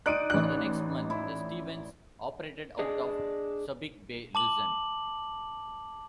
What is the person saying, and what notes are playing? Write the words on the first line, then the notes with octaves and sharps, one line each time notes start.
For the next month, the "Stevens" operated out of Subic Bay, Luzon.
D#4 D5 F#6 D7 D#7
A1 F#6
E4
D4 G#4 D5 D#5
A5 D6 F#7